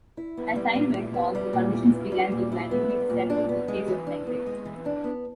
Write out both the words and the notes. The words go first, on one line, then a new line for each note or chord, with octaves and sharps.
As time went on, the conditions began declining due to several decades of neglect.
E4
B3
G3
A#2
E4
B3
G3
A#2
E4
B3
G3
A#2
E4
B3
G3
A#2
D4
B3
G#3
E3
D4
B3
G#3
E3
D4
B3